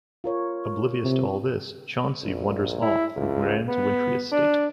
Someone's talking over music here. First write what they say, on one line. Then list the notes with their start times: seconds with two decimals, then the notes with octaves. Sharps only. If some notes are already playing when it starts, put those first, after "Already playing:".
Oblivious to all this, "Chauncey" wanders off through Rand's wintry estate.
0.24 F4 A#4 C#5
1.04 C3
2.23 A#1
2.82 E4
3.16 C#2
3.68 B3
4.32 D4